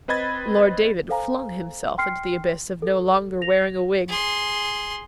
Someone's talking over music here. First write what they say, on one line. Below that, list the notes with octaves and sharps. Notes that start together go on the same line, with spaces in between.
Lord David flung himself into the abyss of no longer wearing a wig.
C4 B4 D#5 B5 G#6 A6
A4 C5 F5 G#5 A#5
G5 C6 F6 C7 C#7
A4
A#6 F7
G#4 C6